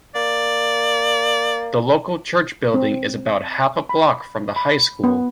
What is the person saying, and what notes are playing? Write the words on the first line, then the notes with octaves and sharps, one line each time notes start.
The local church building is about half a block from the high school.
A#3 D5
C4
B5
B5
B3